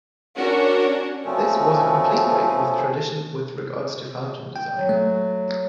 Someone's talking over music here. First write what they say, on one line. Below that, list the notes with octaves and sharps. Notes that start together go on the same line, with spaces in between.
This was a complete break with tradition with regards to fountain design.
C#4 D4 F#4 A#4
B2 F3 A3 C4 C#4
G5
F#3
A3